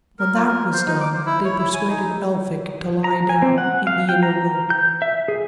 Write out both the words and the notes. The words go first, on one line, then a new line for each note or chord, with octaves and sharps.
When that was done they persuaded Elphick to lie down in the inner room.
A#4
F4
A#4
C5
D#4
D6
C5
E4
C#5
E4
G#5
D#4
A#5
G#5
C4
F#5
F5
G5
A#5
G6
E5
G#4